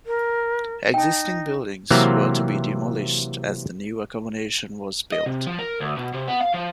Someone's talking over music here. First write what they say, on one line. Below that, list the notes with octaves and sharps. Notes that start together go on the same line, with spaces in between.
Existing buildings were to be demolished as the new accommodation was built.
A#4
D#4 G5 A5
C3 E3 F#3 A#3 C4
D#5
C3
F3
A#4
D2
B2
C3
B3
F5
F3